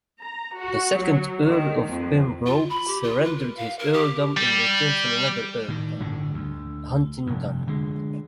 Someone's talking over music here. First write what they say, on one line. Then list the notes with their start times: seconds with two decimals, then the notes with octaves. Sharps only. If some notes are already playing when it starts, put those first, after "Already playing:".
The second Earl of Pembroke surrendered his earldom in return for another earldom, Huntingdon.
0.23 A#5
0.58 F#4
0.97 F#3
1.48 D#3
1.90 F2
2.46 F4
2.70 B5
2.87 G4
3.03 F4
3.25 B4
3.37 A#4
3.57 F5
3.79 A#4
3.93 G4
4.37 G3
5.68 A2 D#3
6.00 G1 A2 D3
6.34 D2
7.27 F1 G2
7.67 D3 G#3